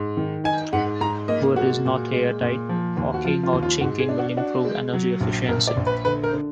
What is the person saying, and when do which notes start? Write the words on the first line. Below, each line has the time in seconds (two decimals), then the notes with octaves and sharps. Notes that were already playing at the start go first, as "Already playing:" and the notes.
Wood is not airtight - caulking or chinking will improve energy efficiency.
Already playing: G#2
0.17 D#3
0.44 D#4 G#5
0.73 G#2 F#5
1.01 G#2 A#5
1.28 A#3 D#5
1.56 G#3 F#4
1.85 A#2
2.12 G#3
2.41 A#2
2.69 F3
2.97 D#2
3.14 F#4
3.25 F3 F4
3.43 F4
3.53 D#2
3.63 F4
3.81 G#2 F#4
3.99 G#4
4.09 D4
4.19 F#4
4.37 D4 F#4
4.65 G#3
4.93 F#3
5.21 A#1
5.49 A#1 A#4
5.67 D5
5.77 A#1
5.87 B4
6.05 D3 B4
6.24 A#4
6.33 D3